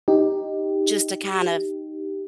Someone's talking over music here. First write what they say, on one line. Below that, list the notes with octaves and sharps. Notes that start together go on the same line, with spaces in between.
just to kind of
D#4 G4